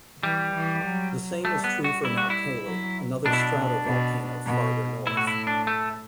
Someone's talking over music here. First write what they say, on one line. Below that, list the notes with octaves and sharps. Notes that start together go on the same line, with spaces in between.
The same is true for Mount Cayley, another stratovolcano farther north.
E3 G3
E3
F#3
G3 A3
B3
F#4
G3 E4
F#4
E4
F#3
B2 D4
E4
D4
B2
B2
A2 E4
F#4
E4
D4
A3